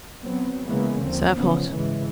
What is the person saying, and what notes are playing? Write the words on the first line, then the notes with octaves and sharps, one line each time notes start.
Serve hot.
F#3 B3 C4
C#3 E3 G#3 A#3 B3 C#4
D#2 D3 F3 C4
G#2 C#3 F3 B3 C#4
G#2 C#3 E3 G#3